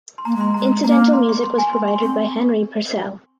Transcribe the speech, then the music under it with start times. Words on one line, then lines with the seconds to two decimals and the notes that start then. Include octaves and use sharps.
Incidental music was provided by Henry Purcell.
0.18 C6
0.25 A#3 A#5
0.36 G#3 C6
0.54 G#3 A#5
0.84 A#3 A#5
1.13 C6
1.29 C#6
1.43 C6
1.58 G#5
1.73 C6
1.88 C#6
1.96 C6
2.02 C4 C#6